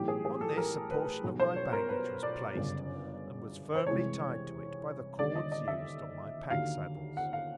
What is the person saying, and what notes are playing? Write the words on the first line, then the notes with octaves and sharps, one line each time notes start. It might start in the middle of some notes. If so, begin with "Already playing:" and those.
On this a portion of my baggage was placed, and was firmly tied to it by the cords used on my pack-saddles.
Already playing: B1 A2 E3 G3 G4
G#4
G#4
A4
A#4
B4
B1 B2 G3
C5
C#5
A#4
B4
D5
G1 F#2 C#3
C5
C2 C3 E3 G#3 C#5
D#2 D3 G3 D5
D#5
D#5
E5
D#2 D3 F#3 F5
F#5
F5